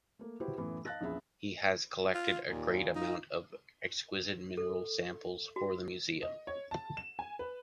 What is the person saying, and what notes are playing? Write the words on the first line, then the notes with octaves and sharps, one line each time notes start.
He has collected a great amount of exquisite mineral samples for the museum.
A3 A#3
E4 F#4 G4 B4 C5
F#2 A2 E3 B3 E4
D#5 F5 A5 F#6 A6 A#6
A#1 E2 C#4 G#4 E5 B5
F4
D#2 A#2
D#4 F4
A4
F#4
D#5
C#5
A5
E7
G#5
B4